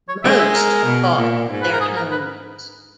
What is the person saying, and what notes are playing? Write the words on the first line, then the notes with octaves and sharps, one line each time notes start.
Most bought their homes.
C#5
G#3 E5
E5
A#4
B2
A#2
G#2
B4
A#4
G#4
A#4
B4